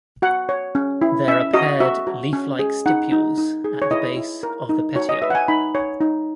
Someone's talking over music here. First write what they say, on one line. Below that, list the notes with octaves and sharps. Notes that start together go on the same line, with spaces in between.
There are paired leaf-like stipules at the base of the petiole.
F#4 F#5
C#5
C#4
E4
C#4 E5
F#4 D#5
F#4 E5
F#4
C#4
G#4
D#4 F#5
D#4
D#4
G#4
C#5
E4 D#5
E4
A#4
D#4
F#4 C#5
D#5
B4 E5
F#5
G#5
D#4 B5
C#5
D#4